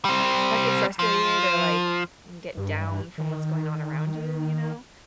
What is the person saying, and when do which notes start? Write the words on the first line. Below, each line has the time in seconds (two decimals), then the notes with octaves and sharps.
not get frustrated or, like, get down from what's going on around you, you know?
0.05 G3 C4
0.99 F3
2.57 G2
3.18 D#3